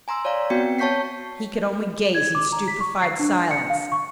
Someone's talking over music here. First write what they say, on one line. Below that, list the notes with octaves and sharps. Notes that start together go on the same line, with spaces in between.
He could only gaze in stupified silence.
G#5 A#5 C6 E6
C#5 D5 F5 A#5
B3 C4 F#4 G5 C#7
C#5 A5 C#6 G6 B6 C7
G#6
D6
A#5
B6
C#6
C7
D4
C#7
F5
C#6